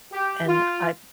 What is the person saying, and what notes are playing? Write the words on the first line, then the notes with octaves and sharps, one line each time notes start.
and I
G4
F4